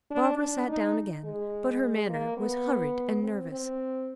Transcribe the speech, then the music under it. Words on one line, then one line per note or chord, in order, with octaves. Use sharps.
Barbara sat down again, but her manner was hurried and nervous.
D4
D4
D#4
G#3
A#3
B3
C4
C4